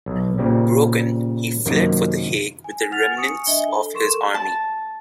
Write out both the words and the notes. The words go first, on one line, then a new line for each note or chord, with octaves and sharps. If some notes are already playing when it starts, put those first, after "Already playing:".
Broken, he fled for The Hague with the remnants of his army.
B1
A#2 C#3 G3 C4 C#4
F#2 C3 D#3 F#3 A#3
G#5
F#5 G#5 F6 A6 F7
G#5 C#6 D#6 C#7
D4 D#5 E5 G#5 G7
A4
A4 A#4 C6 C#6 E7
A5